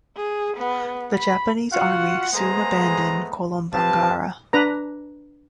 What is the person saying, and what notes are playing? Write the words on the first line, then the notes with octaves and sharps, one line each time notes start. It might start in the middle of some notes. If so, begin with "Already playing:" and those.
The Japanese Army soon abandoned Kolombangara.
G#4
B3
B5
F4 F#4 F5 F#5
G#3 A3 B3 G#4 C5 A#5
C4 G4 B4 F5 A5
D4 B4 A#5